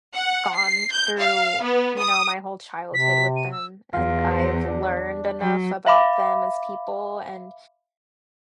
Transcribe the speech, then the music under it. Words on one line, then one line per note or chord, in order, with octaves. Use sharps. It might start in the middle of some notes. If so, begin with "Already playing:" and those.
gone through, you know, my whole childhood with them, and I've learned enough about them, as people, and,
F#5
C7
G6
F5
B3
D#6
C3 B6
D#7
E6
E2 F4
C5
D4
F#3
E5 F5 B5 D6